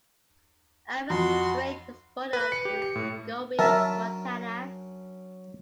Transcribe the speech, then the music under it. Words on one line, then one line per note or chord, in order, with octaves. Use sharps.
Alvin Straight was born in Scobey, Montana.
F2 F#4 C6
B4
C#7
G4
C#7
A2
F#3 C#4 D4 A#4 E5 A5